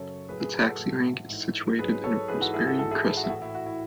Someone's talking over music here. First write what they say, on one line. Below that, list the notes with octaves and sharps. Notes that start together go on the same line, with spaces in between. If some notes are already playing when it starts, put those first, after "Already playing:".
The taxi rank is situated in Rosebery Crescent.
Already playing: F#2 C#3 F#3 A4 C#5
A2 F#3 G#4 B4
G#4 B4
F#4 A4
A2 E3
G#2 E3
G#2 F#3 G#4 B4
A4 C#5
G#2 E3 G#4 B4
F#4 A4
E4 G#4
F#4 A4
G#2 E3 F#4 A4
E4 G#4
E4
F#4
E4
A2 E3 F#4
E4
F#4
E4